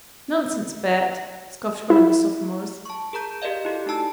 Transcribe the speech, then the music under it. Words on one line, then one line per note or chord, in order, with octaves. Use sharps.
"Nonsense, Bert," scoffed one of the sophomores.
E4
A5 C#6
G#4 A#4 A#5 G6
G4 A#4 D5 D#5 F5
E4 F#4 G4 A4
A3 D#4 F#4 A5 E6